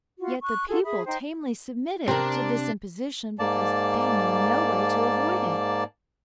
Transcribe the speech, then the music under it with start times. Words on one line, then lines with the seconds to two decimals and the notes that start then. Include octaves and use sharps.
Yet the people tamely submitted to this imposition because they knew no way to avoid it.
0.19 F4 F#4
0.42 C#6 F#6
0.69 F4 F#4 G#4 A4
0.84 G#4 E5 B5 D#6
1.06 D#4 C5 G5
2.08 C3 C4 D4 A#4
3.39 G#2 A#3 D5 A5